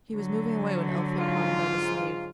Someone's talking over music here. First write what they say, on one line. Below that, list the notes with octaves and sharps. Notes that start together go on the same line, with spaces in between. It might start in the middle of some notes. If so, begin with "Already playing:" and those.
He was moving away when Elphick caught him by the sleeve.
D3 F#3
G#2 F4